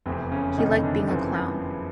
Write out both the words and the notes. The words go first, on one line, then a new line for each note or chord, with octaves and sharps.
He liked being a clown.
F1 E2 C3 C4
C#3 C#4
F1 E2 C3 D#3 D#4
D3 D4
F#1 F2 C#3 E3 C4
B3